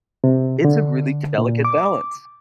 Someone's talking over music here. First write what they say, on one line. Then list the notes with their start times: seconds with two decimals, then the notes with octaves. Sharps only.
It's a really delicate balance.
0.24 C3
0.65 D3
1.38 A#2
1.65 D6